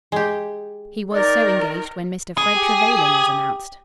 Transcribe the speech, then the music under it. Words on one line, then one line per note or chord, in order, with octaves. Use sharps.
He was so engaged when Mr. Fred Trevelyan was announced.
G#3 G4
D#3 A#4 D5
G#4
G4